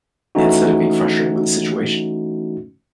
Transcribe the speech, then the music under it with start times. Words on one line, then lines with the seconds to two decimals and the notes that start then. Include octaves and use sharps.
instead of being frustrated with the situation.
0.35 E3 A3 C#4 D#4 F#4